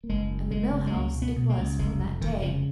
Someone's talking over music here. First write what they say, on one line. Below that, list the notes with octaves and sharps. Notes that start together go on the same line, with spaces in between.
And the "Mill House" it was from that day.
A#3
F#1 G#3
F#2
F#1 G#3
C#3
G#3
C#2 A#3
B2
B3
B2
A#3
C#2
F1 G#3
F2
F1 D#3
C#3 F3